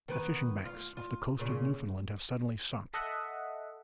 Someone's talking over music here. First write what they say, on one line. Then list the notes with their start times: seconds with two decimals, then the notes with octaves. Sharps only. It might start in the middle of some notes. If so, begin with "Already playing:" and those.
The fishing banks off the Coast of Newfoundland have suddenly sunk.
0.08 D#3 B3 B4
0.65 F4
0.97 F4
1.39 A#2 C#3
2.94 A4 D#5 E5 F#5